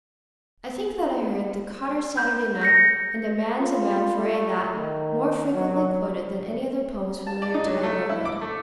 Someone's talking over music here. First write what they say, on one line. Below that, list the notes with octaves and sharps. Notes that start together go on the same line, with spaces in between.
I think that I heard the "Cotter's Saturday Night" and "A man's a man for a' that" more frequently quoted than any other poems familiar to my girlhood.
G6
G6 A#6 C#7
F4
A3
D#3
F#3
A5
D5
D#4
F#3
A3
E4
D6
A3